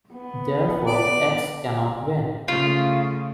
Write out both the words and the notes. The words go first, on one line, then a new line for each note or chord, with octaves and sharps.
Therefore X cannot win.
B3
D5
C#3 A3 F4